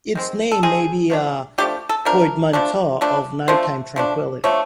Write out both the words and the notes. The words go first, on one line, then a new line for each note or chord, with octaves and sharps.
Its name may be a portmanteau of "nighttime tranquility".
D#3 G#3 C4
A4
D#3 G#3 C4 G#4
F3 A3 D4
F3 A3 D4 G4
A4
F3 A3 D4 A#4
F3 A3 D4
F3 A3 D4
F3 A3 D4 C5
F3 A3 D4
F3 A3 D4 C#5